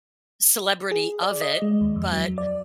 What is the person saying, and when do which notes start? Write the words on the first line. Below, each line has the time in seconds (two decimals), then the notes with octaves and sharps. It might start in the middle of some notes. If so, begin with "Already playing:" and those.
celebrity of it. But,
0.91 G#4
1.22 D5
1.41 D#5
1.62 G#3
1.81 D#2
1.96 F2
2.13 F#3
2.38 D5